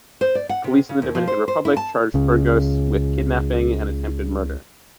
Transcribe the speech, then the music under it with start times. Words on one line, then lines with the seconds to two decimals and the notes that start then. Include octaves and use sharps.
Police in the Dominican Republic charged Burgos with kidnapping and attempted murder.
0.21 C5
0.35 D5
0.49 F#5
0.64 C3
0.89 C#3
1.02 D#2
1.15 F3
1.27 C5
1.48 C5
1.65 E4
1.77 A5
2.14 C#2 C#3